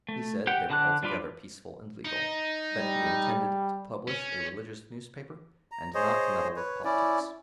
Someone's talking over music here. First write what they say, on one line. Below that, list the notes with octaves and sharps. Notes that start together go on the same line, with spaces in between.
He said they were altogether peaceful and legal; that he intended to publish a religious newspaper and not to meddle with politics.
A3
G4 F#5 G5
D3 F#5 A5 D6 F#6
G3 D4 F4 B4 D5
D#4
G3
C#4
A#5
G#4 C5 C#5 D#5
B4 C#5
C#4 E4 D5